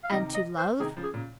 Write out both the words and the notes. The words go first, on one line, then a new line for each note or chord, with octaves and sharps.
"And to love."
F5
C3 D#3 D#5
D#5
C5
C3 D#3 G#4
C#3 F3
G#4
A#2 C#3